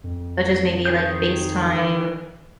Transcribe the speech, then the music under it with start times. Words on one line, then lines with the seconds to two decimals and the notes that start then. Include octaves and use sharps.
such as maybe, like, FaceTime
0.04 F2
0.86 D#3 G#4 G6